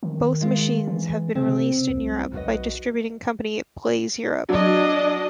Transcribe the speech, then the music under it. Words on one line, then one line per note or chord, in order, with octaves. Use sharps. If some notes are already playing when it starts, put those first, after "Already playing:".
Both machines have been released in Europe by distributing company Blaze Europe.
D#3
G#3 F4
E3
C3 C4
C2
B1 F#4 B4 D#5
F#3 D4 D#5